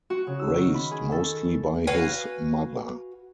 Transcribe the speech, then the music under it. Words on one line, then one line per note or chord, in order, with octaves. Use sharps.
Raised mostly by his mother.
F#4
C#3
E6
D#3
B5
G#4
A4
F#4 B4 F5 G#5